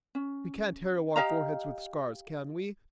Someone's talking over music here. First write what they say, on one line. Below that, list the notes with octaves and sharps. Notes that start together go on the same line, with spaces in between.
We can't harrow our foreheads with scars, can we?
C#4
G4 D#5 F5 A#5